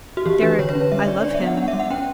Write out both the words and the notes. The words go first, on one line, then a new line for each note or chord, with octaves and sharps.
"Deryck--I love him."
F#4
E3 G4
D4 B4
D3 C#5
B4
C#4
B4
G3 E5
D4 D5
C#5
D4 D5
E5
B3
F#5
D4 F#5
E5
G3
F#5
C#4 G5